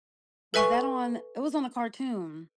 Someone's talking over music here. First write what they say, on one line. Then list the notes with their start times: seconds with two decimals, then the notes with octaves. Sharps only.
Was that on it was on a cartoon.
0.54 A4 B4 E5 G#5 C#6